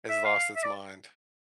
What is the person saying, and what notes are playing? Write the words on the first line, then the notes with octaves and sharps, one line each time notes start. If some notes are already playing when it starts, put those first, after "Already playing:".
has lost its mind.
E5
F5
E5
D5